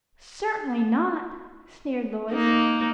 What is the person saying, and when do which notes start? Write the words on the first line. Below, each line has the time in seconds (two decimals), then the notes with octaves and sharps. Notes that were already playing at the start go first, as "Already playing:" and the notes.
"Certainly not," sneered Louis.
2.32 A#3 D#4